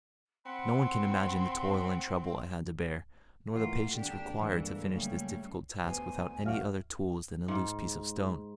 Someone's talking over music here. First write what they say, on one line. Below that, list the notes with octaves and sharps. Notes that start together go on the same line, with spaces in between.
No one can imagine the toil and trouble I had to bear, nor the patience required to finish this difficult task without any other tools than a loose piece of stone.
C4 F#5 B5 C6
A2 E3 A#3 F4 F#4
G#1 A#2 D3 D4 G4
G2 E3 G#3 A#3
C#3 F#3 G3 A3 A#3 C#4
D2 B3 G4 C5 G#5
A3 D4 F#4 C#5 E5 F5 F6
G#2